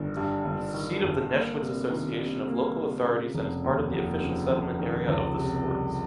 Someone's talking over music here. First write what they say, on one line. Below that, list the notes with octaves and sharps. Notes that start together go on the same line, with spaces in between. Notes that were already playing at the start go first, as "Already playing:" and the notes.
It is the seat of the Neschwitz association of local authorities and is part of the official settlement area of the Sorbs.
Already playing: G1 D#3
G2
G1
D#3
G1
A#3
C3
D#3
C3
A#3
C3
C#3
F1
D#2
F1
C#3
F1
D#3
C#2
C3
G3